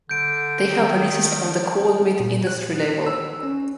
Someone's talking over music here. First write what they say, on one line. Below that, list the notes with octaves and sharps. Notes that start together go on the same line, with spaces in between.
They have releases on the Cold Meat Industry label.
D3 G6 D7
D#3
A#2
F#6
E6
C#4